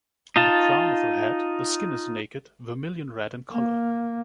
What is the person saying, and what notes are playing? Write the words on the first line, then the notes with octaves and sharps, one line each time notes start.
On the crown of her head, the skin is naked, vermilion red in color.
D#4 F4 A5
A#3